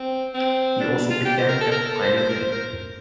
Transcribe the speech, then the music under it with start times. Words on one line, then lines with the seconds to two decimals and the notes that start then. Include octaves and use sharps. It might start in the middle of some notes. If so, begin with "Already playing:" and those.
He also began the violin.
Already playing: C4
0.34 C4
0.80 D4
1.10 F4
1.25 G4
1.38 C5
1.49 A#4
1.61 A4
1.72 A#4
1.87 A4
2.02 C5
2.17 C5
2.29 A#4
2.40 C5
2.52 A#4